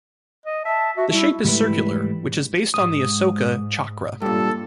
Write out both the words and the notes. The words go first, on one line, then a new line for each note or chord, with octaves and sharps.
The shape is circular, which is based on the Ashoka Chakra.
D#5
E5 A5
F#4 E5
G3 E4
G#2 E3 G3 A3 E4 B4
G#2 D#6
G2 A#2 A4